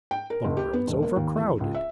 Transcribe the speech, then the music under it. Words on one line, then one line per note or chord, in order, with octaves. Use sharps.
The world's overcrowded.
G5
A#4
F#1
G4
B3
E1
A#3
D#2
E2
C#2
E5